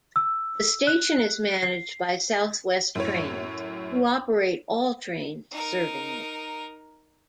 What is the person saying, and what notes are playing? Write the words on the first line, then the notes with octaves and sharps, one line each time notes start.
The station is managed by South West Trains, who operate all trains serving it.
E6
F#6
C7
F#2 A2 C#5
D#4 A#4